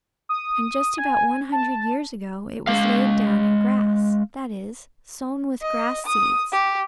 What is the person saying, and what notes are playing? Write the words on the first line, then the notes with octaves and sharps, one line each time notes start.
And just about one hundred years ago it was laid down in grass; that is, sown with grass seeds.
D#6
G#5
A5
G#3 F5
D#5
D#6
G4